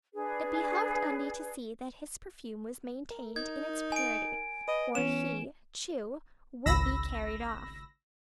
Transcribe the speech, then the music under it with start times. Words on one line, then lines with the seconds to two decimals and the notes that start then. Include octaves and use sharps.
It behoved Undy to see that his perfume was maintained in its purity, or he, too, would be carried off.
0.14 D4 G#4 B4
3.11 A#4
3.36 D#4 G#6
3.92 G#5 D7
4.68 B4 D#5
4.95 E3 B3 C#4 E7
6.66 G#1 C#2 B5 E6 A#6